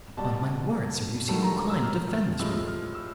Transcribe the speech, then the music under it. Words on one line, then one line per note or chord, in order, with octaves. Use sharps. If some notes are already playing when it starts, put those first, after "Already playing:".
"Upon my word, sir, you seem inclined to defend this woman!"
B2 G3 A5
G2 D#3 F#3 A3 A5
A#5
A#5
E6
F6
F6
A2 F3 G#3 E6
F6
E6